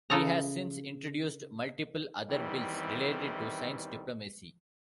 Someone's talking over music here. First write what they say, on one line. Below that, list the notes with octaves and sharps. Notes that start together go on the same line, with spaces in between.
He has since introduced multiple other bills related to science diplomacy.
C#3 F4 A4 D#5 A#5
E2 D#3 E3 G3 C4